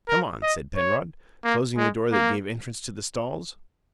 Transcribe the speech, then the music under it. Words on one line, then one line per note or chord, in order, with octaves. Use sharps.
"Come on," said Penrod, closing the door that gave entrance to the stalls.
A#4
D#5
C#5
A#3
G#3
A#3